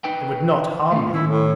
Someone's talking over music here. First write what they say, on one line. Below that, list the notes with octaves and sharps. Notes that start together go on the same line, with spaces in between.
They would not harm me.
D#4 B4 G5
A3 D#4 F4
D#3 C#4 E4
A2